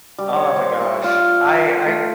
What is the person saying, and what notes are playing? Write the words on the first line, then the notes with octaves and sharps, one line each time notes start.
Oh, my gosh. I I
G3
C#5
C5
C#6
F4
A3